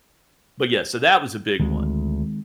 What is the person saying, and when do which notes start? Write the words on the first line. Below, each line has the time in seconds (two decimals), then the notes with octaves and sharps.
but yeah, so that was a big one.
1.60 D2 D#3 G#3 C4